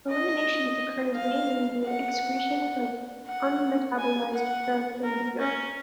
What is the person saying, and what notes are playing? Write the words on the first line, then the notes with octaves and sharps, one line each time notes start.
Elimination occurs mainly via excretion of unmetabolized drug in the urine.
D#5
F5
F#5
F#5
G#5
F#5
A#4
C#4